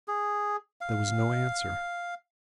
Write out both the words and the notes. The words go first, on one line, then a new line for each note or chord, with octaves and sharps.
There was no answer.
G#4
F5